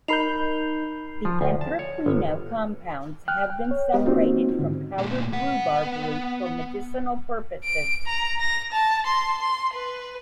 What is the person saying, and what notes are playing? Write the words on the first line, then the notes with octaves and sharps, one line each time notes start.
The anthraquinone compounds have been separated from powdered rhubarb root for medicinal purposes.
D#4 A#4 B5 G6 C7 F7
F3
D2
A5
C#5
G1
G5 F6 F#6
G5
C#5
G#3 B3 G4 D#5
A#3 C4 C#4 D#4 F4 F#4
G#2 D3
A#2 G#3
B3 F#5
D7
A#5
A#6
A5
C6
C6
B4